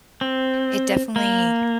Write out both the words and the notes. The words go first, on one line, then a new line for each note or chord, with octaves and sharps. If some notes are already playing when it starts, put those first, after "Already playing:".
it definitely,
C4
A#3